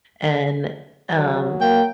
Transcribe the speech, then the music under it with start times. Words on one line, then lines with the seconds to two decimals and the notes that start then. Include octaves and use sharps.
and, um,
1.16 F#3
1.61 A#3 G5